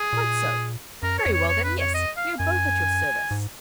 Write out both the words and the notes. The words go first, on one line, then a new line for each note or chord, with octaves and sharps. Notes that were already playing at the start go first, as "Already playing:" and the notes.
Quite so!--very well, then; yes, we are both at your service.'
Already playing: G#4
A#2
F#2 A#4
C#5
F2
C#5
C#5
B4
C#5
D#5
F5
F#2 G#5
G#2